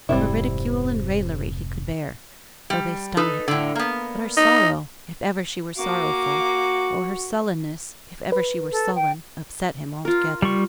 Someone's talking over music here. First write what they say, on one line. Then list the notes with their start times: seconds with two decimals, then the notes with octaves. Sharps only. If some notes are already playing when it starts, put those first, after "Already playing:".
Her ridicule and raillery he could bear, though they stung him; but her sorrow, if ever she were sorrowful, or her sullenness, if ever she were sullen, upset him altogether.
0.09 F1 G#2 C3 G3 C4 E4
2.70 G3
3.17 D#4 A4 B4
3.48 A2 D3
3.75 A#3 B3
4.37 D#4
5.78 A#3 F#4 D6
8.32 B4
8.71 A4
8.95 G5
10.05 F4 A#4
10.42 G3 C#6